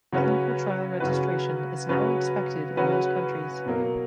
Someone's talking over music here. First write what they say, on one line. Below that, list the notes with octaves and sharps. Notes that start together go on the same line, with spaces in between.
Clinical trial registration is now expected in most countries.
C#3 F#3 C#4 F#4 B4
C#3 F#3 C#4 F#4 B4
C#3 F#3 C#4 F#4 B4
C#3 F#3 C#4 F#4 B4
B2 F#3 A#3